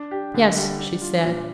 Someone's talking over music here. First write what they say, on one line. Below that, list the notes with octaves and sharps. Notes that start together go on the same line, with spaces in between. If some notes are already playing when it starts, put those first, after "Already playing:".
"Yes," she said.
Already playing: D4
G4
D3
G3
D4
F4
A#2